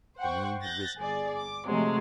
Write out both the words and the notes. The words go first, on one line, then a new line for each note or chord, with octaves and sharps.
The moon had risen.
C5 F#5 G5 C#6
F#6 G6 A6 A#6
G1 G#4 D5
D6
C3 F3 F#3 G#3 A3